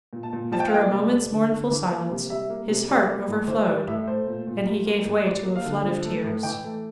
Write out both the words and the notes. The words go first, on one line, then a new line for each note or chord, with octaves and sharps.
After a moment's mournful silence, his heart overflowed, and he gave way to a flood of tears.
A#2
A5
A#2
F3 A5
G5
F5
A#3 G5
D5
C3
A3
D3
D3
E3
A#3
C3
G3 E5
A#3
C3
G3 D5
A#3
A2
E3 C5
G3 D5
A2 E5
A3 C5
A#2
A#2
G3
A#3
A2
G3 D5
A#3
F5
D3
F3
A3
A2
E3 G5
A3